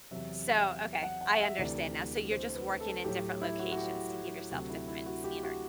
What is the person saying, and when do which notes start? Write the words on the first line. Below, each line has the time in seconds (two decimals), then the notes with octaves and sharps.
So okay. I understand now. So, you're just working in different locations to give yourself different scenery.
0.11 E2 C3 F#3 E5
0.48 E5
1.03 F#5
1.21 F#5
1.39 E5
1.58 D2 C3 E3 D5
2.31 C5
2.55 B4
2.80 A4
3.04 A2 F#3 G4
3.42 E4
3.59 F#4
3.72 F#4
3.78 G4
4.51 D2 C3 F#3 F#4
4.70 E4
4.88 E4
5.06 F#4
5.24 G4
5.43 F#4